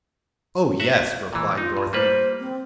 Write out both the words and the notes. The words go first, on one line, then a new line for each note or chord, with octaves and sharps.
"Oh, yes," replied Dorothy.
F#4 E5 F#5
A#2 E3
D#4 F4
G2
G3 A#3 B4 C5
C4